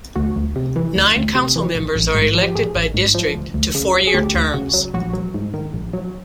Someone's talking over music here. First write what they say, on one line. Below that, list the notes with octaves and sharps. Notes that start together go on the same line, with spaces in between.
Nine Councilmembers are elected by district to four-year terms.
D2 F#4
D2
C3
E3
D2
D2
C3
E3
A1
A1
G#2
F3
G4
A1 G#4
A1
G#2
F3
D2
D2
C#3
F#3
G#4
D2 G4
D2
C#3 F#4
F#3
A#1 F#4
F#3
G#2
D#3
A#1
F#3